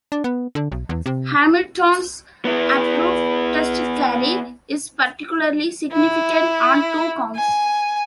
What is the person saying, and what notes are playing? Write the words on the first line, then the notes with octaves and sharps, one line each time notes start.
Hamilton's abrupt test career is particularly significant on two counts.
D4
B3
D3
B1
E2
C3
B3 E4
E4
G#5